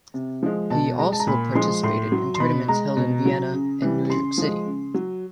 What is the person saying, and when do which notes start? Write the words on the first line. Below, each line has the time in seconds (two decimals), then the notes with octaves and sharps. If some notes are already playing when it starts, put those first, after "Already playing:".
He also participated in tournaments held in Vienna and New York City.
0.14 C3
0.43 F3 G#3
0.70 B2 A5
0.99 G#3 A#5
1.12 A5
1.20 A#5
1.27 A#2 B5
1.55 F3 G#3 C6
1.83 A2 C6
2.12 F#3
2.35 C6
2.40 B2 B5
2.68 G#3 A#5
2.97 B2
3.25 F#3
3.53 C#3
3.82 E3 G3
4.10 C#3 C6
4.38 F3 G#3
4.66 C#3
4.94 F#3